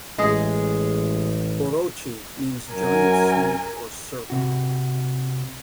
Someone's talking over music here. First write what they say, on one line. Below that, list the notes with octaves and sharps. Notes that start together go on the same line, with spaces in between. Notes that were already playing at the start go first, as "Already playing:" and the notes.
"Orochi" means "giant snake" or "serpent".
A1 G#3 G#4
F#2 A#4 G#5
C3 F#4